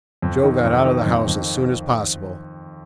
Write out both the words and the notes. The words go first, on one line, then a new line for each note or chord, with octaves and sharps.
Joe got out of the house as soon as possible.
F2
D#3
F2
D#3
F2
F2